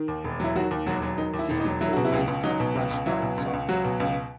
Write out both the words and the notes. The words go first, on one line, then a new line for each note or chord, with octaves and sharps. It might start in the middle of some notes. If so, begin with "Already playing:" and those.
See full list of flashcard software.
Already playing: D#3
D#2
E1
F#3 E4
D#3 F#3 F#4
D#2
E1 F#3 F#4
F#3
D#3 D#4
D#2
E4
E1
D#4
F#3
F#3 E4
B2 F#4
E4
C#2
C#2
F#3 D#4
B2
C#2
C#2
F#3 E4
B2
C#2
C#2
F#3 F#4
B2
C#2